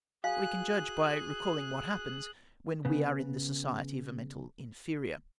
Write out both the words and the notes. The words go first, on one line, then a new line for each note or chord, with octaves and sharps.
We can judge by recalling what happens when we are in the society of a mental inferior.
F#4 G#4 F5 G#5 F#6
C#3 B3